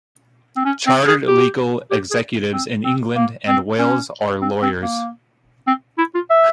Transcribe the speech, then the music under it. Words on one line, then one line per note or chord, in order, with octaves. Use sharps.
Chartered Legal Executives in England and Wales are lawyers.
C4
C#4
C4
G#4
G4
G4
G#4
C4
C4
A#3
C4
C#4
C4
C4
A#3
C4
E4
F4
E5